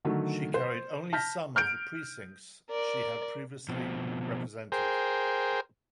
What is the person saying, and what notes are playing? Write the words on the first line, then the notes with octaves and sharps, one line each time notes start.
She carried only some of the precincts she had previously represented.
D3 D#3 F#3 A3
C5
A5 F6 G6 A#6 B6
F6 G6 D7
A#4 D5
B2 F3 C4
G#4 A#4 C5 G5